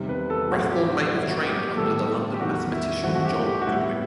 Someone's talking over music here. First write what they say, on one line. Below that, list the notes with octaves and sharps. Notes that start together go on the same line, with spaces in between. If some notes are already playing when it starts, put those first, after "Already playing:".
Rathborne may have trained under the London mathematician John Goodwyn.
Already playing: E2 C3 D#3 G3
B4
A4
A2 F#3 C4 F#4
G4
F#4
G2 F#3 B3 E4
F#4
G4
G4
A2 G3 B3 A4
G4
E2 D#3 G3 F#4
E4
G2 E3 A3 C4 F#4
F#4
G4
G4
F#4
A2 G3 B3 E4